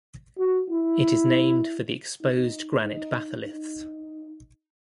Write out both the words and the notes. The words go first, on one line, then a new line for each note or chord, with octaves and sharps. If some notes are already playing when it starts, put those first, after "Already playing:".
It is named for the exposed granite batholiths.
F#4
E4
D#4
D#4
D#4